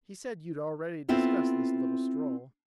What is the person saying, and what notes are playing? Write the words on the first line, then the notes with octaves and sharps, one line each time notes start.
"He said you'd already discussed this little stroll."
B3 C4 E4 F4 A4